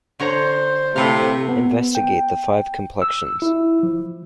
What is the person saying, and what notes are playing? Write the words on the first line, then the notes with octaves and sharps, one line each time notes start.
Investigate the five complexions.
D3 C5 C#5 A#5
A2 C3 A3 A4 B4 F5
B3
G5
E6
E4
F3